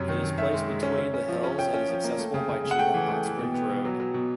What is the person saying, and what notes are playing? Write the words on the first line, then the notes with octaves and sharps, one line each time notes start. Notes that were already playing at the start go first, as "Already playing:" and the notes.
It is placed between the hills and is accessible by Chena Hot Springs Road.
Already playing: F#2 C3 C#4
D#3
D#3
D#3 E5
G#3
G#3
C#4
C#4
C#4
F3
C#4
C#4 G5
C#4
F3
A#3
A3
C#3
C#3
C#3
F#5
A3 G5
E3
A3
E3
B2
B3
B2
F#3
F#3
B2